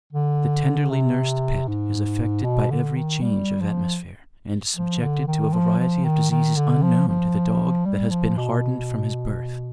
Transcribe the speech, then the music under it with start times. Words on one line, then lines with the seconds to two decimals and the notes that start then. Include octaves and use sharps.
The tenderly-nursed pet is affected by every change of atmosphere, and subjected to a variety of diseases unknown to the dog that has been hardened from his birth.
0.13 D3
0.90 C3
1.68 G#2
2.44 B2
2.71 D3
2.96 D#3
3.22 G3
3.61 F3
4.76 F3
5.02 D3
5.27 D#3
5.54 F3
5.79 F3
6.05 D#3
6.31 D#3
6.56 D3
6.83 F3
7.08 F3
7.86 G3
8.11 F3
8.37 B2